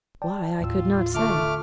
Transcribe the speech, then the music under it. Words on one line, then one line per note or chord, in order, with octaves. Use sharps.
Why, I could not say.
D5 G5 A5
D#2 A2 F4 E6
D3 A3 A5 C#6 D6 F6